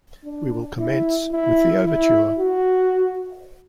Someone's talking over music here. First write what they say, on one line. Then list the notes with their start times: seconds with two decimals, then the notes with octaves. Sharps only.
We will commence with the overture.
0.25 D4
0.79 E4
1.32 E4
1.85 E4
2.39 F#4